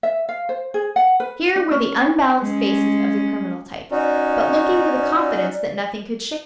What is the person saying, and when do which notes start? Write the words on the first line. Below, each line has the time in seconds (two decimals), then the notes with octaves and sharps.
Here were the unbalanced faces of the criminal type, but looking with a confidence that nothing could shake.
0.03 E5
0.29 F5
0.49 C5
0.74 G#4
0.96 F#5
1.20 B4
1.56 D4
1.71 C#4
2.39 G#3 C#4
3.92 C#4 D#4 F#4 D5